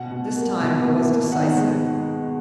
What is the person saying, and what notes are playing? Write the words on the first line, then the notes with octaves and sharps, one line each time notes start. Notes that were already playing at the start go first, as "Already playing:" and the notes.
This time, it was decisive.
Already playing: B2 F#5
B2
A#3
B2
B2
A#3
D#3 F#5
G#3